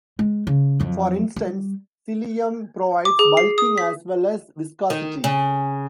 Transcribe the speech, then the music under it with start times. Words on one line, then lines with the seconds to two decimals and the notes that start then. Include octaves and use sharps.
For instance, psyllium provides bulking as well as viscosity.
0.19 G#3
0.47 C#3
0.80 F2 F#3
1.36 G3
3.05 D6
3.19 G#4
3.37 C7
3.58 D#6
3.78 B6
4.90 D#3
5.24 C#3